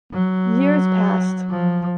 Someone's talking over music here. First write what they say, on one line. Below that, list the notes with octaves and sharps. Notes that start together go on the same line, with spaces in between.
Years passed.
F#3
F3